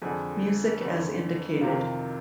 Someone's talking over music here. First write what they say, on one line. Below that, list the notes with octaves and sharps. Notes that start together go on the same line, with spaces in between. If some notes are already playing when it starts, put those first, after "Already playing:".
Music as indicated.
F2 D3 G#4
F2 D3
F2 C3 D#3 F4